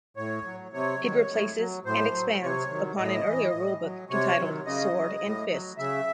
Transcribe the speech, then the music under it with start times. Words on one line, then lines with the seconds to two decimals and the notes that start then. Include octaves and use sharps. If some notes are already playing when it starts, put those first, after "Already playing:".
It replaces and expands upon an earlier rulebook entitled "Sword and Fist".
0.17 A2 C#5
0.45 F#3
0.73 C3 C#5
1.02 D#3 F#3
1.30 A2
1.57 F#3
1.85 A2 C5
2.14 F#3
2.42 C3 C#5
2.70 D#3 F#3
2.98 A2 D#5
3.26 E3
3.54 A2
3.82 F#3
4.10 C3 C#5
4.39 D#3 F#3
4.65 C#3 D#5
4.94 F#3
5.22 A2
5.50 F#3
5.78 C#3 E5